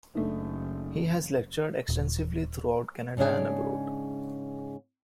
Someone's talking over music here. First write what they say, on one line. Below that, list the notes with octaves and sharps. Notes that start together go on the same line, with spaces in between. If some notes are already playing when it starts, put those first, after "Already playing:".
He has lectured extensively throughout Canada and abroad.
F#1 A3 D4 D#4
D#1
G#2 C#3 C#4 D4 G#4